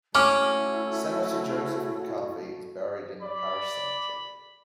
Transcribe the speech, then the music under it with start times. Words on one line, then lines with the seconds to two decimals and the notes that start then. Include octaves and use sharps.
Senator Joseph McCarthy is buried in the parish cemetery.
0.15 A3 C#4 E4 F#4 D6 F6
3.23 D5 B5